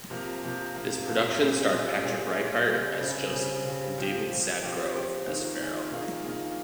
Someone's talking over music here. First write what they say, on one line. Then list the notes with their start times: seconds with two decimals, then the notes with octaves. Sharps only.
This production starred Patrick Ryecart as Joseph and David Sadgrove as Pharaoh.
0.10 C3 F3 A#3
0.42 C3 F3 A#3
0.74 C3 F3 A#3
1.07 C3 F3 A#3
1.39 A#2 G3 C#4 G#4
1.71 A#2 G3 C#4 G#4
2.03 A#2 G3 C#4 G#4
2.37 A#2 G3 C#4 G#4
2.68 C#3 G3 C4
3.00 C#3 G3 C4
3.33 C#3 G3 C4
3.65 C#3 G3 C4
3.98 F3 C4 G4
4.30 F3 C4 G4
4.62 F3 C4 G4
4.95 F3 C4 G4
5.26 D#3 A#3 F4 G#4
5.59 D#3 A#3 F4 G#4
5.92 D#3 A#3 F4 G#4
6.24 D#3 A#3 F4 G#4